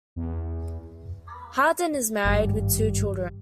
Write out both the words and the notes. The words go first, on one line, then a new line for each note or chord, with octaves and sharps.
Hardin is married, with two children.
E2
G#1 G2 G3